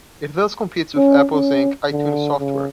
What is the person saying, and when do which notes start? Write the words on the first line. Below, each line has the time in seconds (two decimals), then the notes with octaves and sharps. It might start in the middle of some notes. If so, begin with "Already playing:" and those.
It thus competes with Apple Inc.'s iTunes software.
0.96 C#4
1.33 C#4
1.92 D3
2.40 C#3